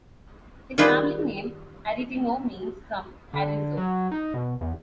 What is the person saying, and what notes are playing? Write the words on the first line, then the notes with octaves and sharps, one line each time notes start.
His family name 'Aretino' means 'from Arezzo'.
D#3 G3 F4 G#4 B4 C5
D3
F#3
D#4
B2
E2